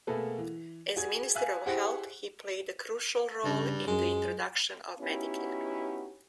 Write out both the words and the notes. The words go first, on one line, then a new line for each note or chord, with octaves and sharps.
As minister of health, he played a crucial role in the introduction of Medicare.
B2 A3 A#3 G#4 A4 B4
E3
F#4 G#4 G#6
E5 F5 G#5 F#6
E4 G4 G#4 C5 F#5
G2 C#3
F#2 G#3
B3 C#4 D#4 E4 F#4 G4